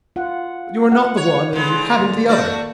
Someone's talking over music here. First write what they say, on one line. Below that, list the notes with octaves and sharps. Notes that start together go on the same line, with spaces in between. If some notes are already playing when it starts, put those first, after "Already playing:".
But you are not the one and you haven’t the other.
F4 F#5
F#5
C#5
D3 D#3 G#3 B4
A#3
A3 F#4 D5